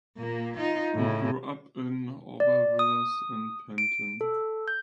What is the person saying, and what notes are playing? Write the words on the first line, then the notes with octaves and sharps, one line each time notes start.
He grew up in Aubervilliers and Pantin.
A#2 A#3
D#4 F4
A2 C#3
D5
D#6
D7
A4
G6